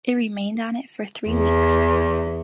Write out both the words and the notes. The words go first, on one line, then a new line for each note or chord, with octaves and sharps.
It remained on it for three weeks.
E2